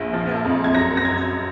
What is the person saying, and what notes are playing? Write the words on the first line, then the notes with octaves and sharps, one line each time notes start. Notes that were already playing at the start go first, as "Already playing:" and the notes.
you know
Already playing: A#1
F3
F2
G#6
F#2 A#6
A#6
F#2 G#6